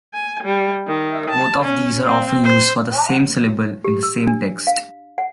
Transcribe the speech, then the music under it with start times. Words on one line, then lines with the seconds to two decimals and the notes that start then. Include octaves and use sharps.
Both of these are often used for the same syllable in the same text.
0.14 G#5
0.44 G3
0.87 D#3
1.30 A5
1.63 C#4
2.07 C4
2.44 C5
3.84 G4
4.03 E6
4.27 D4
4.67 F5
5.18 F#5